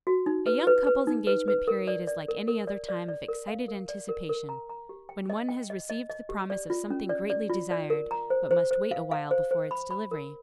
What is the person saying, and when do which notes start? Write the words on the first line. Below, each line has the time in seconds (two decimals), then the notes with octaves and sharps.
A young couple's engagement period is like any other time of excited anticipation, when one has received the promise of something greatly desired, but must wait awhile before its delivery.
0.07 F#4
0.26 D#4
0.46 B4
0.67 B4
0.87 B4
1.07 D#4
1.27 B4
1.48 B4
1.68 A#4
1.88 D5
2.07 D5
2.28 A#4
2.48 A#4
2.67 D5
2.89 D5
3.09 D5
3.28 A#4
3.48 F5
3.68 A#4
3.89 D5
4.09 A#4
4.29 A#4
4.49 A#5
4.69 A#5
4.89 G4
5.09 G5
5.30 D#5
5.49 G5
5.70 D#5
5.90 D#5
6.10 D#5
6.29 G4
6.50 D5
6.70 F4
6.90 C#4
7.09 D5
7.30 D5
7.50 F4
7.71 D5
7.90 A#4
8.11 A#5
8.30 C5
8.51 C5
8.71 C5
8.91 F5
9.11 F5
9.31 C5
9.51 C5
9.71 B5
9.91 B5
10.11 A#4